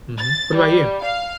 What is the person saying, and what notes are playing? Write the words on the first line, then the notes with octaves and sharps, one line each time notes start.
Mhm. What about you?
A6
G3
F5